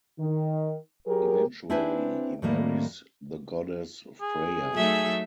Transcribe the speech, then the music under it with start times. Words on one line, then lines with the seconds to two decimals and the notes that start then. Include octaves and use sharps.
Eventually, he marries the goddess Freya.
0.20 D#3
1.07 F#3 G4 G#4 A#4
1.70 C4 D4 E4 G#4 B4 C5
2.42 A2 D#3 G3 A#3
4.21 G#4
4.75 F#3 A3 D#4 A4 E5 E6